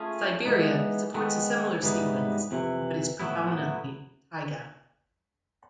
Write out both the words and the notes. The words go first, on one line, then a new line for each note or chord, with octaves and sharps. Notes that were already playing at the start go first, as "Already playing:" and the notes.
Siberia supports a similar sequence but is predominantly taiga.
Already playing: A3 C#4 F4 G#4
E3 G#3 B3 D#4
D#3 G#3 B3
G#2 E3 G3 B3 D#4
F2 C3 E3
A2 F#3 B3 E4